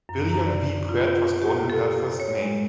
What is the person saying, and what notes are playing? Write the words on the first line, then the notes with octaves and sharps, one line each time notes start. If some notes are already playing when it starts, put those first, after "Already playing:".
William V. Pratt was born in Belfast, Maine.
F#2
A#5
D5
F4
F4
G4
A4
C#5
G#3